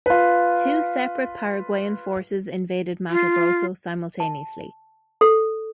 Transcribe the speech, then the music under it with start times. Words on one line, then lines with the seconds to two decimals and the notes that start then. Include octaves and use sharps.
Two separate Paraguayan forces invaded Mato Grosso simultaneously.
0.06 F4 B4
3.10 F4
4.20 A5
5.21 A4